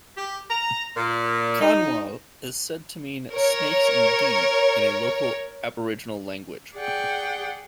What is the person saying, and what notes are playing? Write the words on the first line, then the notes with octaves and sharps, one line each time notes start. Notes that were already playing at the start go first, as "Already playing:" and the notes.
"Kanwal" is said to mean "snakes indeed" in a local Aboriginal language.
G4
A#5
A#2
D#4
A#4 C#5
G#4 D5 F#5 G5